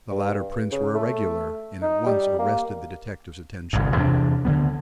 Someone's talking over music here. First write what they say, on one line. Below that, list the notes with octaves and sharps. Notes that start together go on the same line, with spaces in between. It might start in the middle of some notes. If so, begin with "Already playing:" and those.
The latter prints were irregular, and at once arrested the detective's attention.
G2
C#3
A3
D#4
G3
A#3
G1 C2 G#2
E2 C3 B3 D4
D2 D3 F3 B3